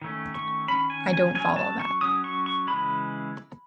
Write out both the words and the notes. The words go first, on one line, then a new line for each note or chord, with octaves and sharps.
I don't follow that.
D#3 A3 C#4
C#6
D#3 A3 C#4 B5
G#5
G#5
F#3 C#4 G#5
A5
C#6
F#3 C#4 D#6
C#6
C#6
C#3 E3 G#3 B5